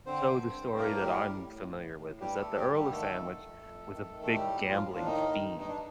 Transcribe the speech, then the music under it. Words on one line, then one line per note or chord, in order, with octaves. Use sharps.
so the story that I'm familiar with is that the Earl of Sandwich was a big gambling fiend.
D3 C4 C5
G2
G2
A2 A#3 A#4
A2 G3 G4
A2
A2
A2
A2
G2 G3 G4
A3 A4
G2
G3 G4
D3
G3 G4
D#3 A3 A4
D#3
F2
F2
D#3
D#3
A4
A2 G3 G4
A2
F3 F4
A2
D4
D#3 D#4
D#3
G2
D#4
D4